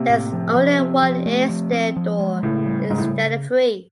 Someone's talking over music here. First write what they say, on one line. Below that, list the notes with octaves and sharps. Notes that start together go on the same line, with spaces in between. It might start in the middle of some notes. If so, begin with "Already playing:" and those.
There is only one airstair door, instead of three.
Already playing: C3 A#3
A2
F3
F3
C4
F3
A3
F3
C4
F3
G#3
A2 C#3
G3
G#2 C#3
A2